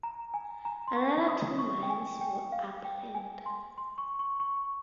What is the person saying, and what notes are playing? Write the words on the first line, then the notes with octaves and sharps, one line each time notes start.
Another two mines are planned.
A#5
G#5
A#5
C6
C#6
D#6
C#6
G5
G#5
G5
F5
G5
G#5
C6
C6
C#6
C#6
C#6